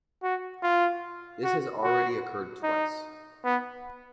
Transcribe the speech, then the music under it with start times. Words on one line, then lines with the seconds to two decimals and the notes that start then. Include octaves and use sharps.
This has already occurred twice.
0.23 F#4
0.63 F4
1.44 F#4
1.83 F#4
2.63 D#4
3.45 B3